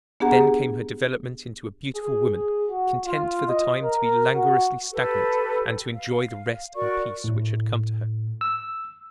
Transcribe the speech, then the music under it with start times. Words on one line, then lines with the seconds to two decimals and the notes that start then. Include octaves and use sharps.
Then came her development into a beautiful woman, content for the time to be languorously stagnant and to enjoy the rest and peace which had come to her.
0.20 B3 D4 G4 G#4 F#5 A#5
1.95 G#4
2.26 G#4
2.69 F#4
3.05 F4
3.48 D#5
3.81 A#4
4.35 F#4
4.92 G4 A4 B4
5.95 F5
6.75 F#4 A#4 D5 C#6
7.24 A2
8.41 E6